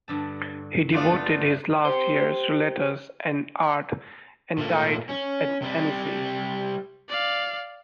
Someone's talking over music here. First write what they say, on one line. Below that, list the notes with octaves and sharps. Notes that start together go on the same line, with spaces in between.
He devoted his last years to letters and art, and died at Annecy.
G2 D3 A5
A3 B3 D4 F4 B4 D5
G4 C5
A#2 A3
C#4
C3 G3
D5 F5